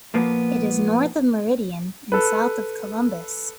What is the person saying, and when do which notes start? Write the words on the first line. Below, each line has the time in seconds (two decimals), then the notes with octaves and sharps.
It is north of Meridian and south of Columbus.
0.14 A#2 F3 A#3 B3
2.12 A4 B4